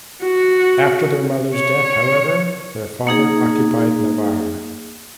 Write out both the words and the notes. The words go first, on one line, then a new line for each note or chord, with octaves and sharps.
After their mother's death, however, their father occupied Navarre.
F#4
C#5
A#3 D#4 G#4